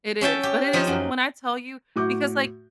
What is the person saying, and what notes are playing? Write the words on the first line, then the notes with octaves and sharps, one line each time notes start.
it is. But it is when I tell you because, like,
C#4 E5 G5 A5
G4
F3 D#4 F4
F#2
A2 F#4 D6 G6